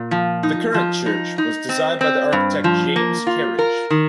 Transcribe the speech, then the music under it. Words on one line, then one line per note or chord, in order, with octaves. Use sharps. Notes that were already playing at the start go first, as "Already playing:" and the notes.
The current church was designed by the architect James Kerridge.
Already playing: A#2
F3
D#4
F3
D#4
D#4
C4
C4
G2
F3
A#3
F4
A#4
D#3